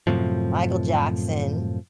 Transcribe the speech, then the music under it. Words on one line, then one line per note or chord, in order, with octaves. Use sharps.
Michael Jackson,
F#2 A2 C3 F3